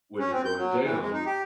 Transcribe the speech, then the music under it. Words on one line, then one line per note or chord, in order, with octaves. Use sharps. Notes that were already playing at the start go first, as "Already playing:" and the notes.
When you're going down,
C#4
C4
G6
F#3
E3
G#3
D#4
G4